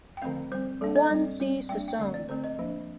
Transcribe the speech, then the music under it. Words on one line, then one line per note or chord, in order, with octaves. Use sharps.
Juan C. Sison.
G5
D3 F3 A3 C4 F5
G3 C4 C5
G3 A#3 D4 A4
D#5
G3 C4
G3 C4
G3 A#3 D4 G5
G5
D3 A3 C4 F5
D5
D3 A3 C4 C5
D#5
F3 A#3 D4